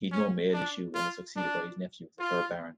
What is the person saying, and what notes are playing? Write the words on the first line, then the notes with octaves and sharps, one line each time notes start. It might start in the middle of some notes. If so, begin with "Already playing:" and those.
He had no male issue and was succeeded by his nephew, the third Baron.
C#4
D4
F4
D4
F4